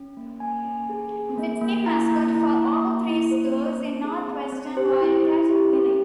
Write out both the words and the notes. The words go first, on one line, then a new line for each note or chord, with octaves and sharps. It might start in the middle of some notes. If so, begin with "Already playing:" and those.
The team mascot for all three schools is the Northwestern Wildcat, Willie.
Already playing: C#4
A#3
A#3 G#5
C#4
G#4
G#4
A#3
A#3
E4 A#5
A#3
E4 A#5
A#3
A#3
E4
A#3 C5
A#3
C4
G#4
C4
C4
G4 C5
E4
E4
G4
C#4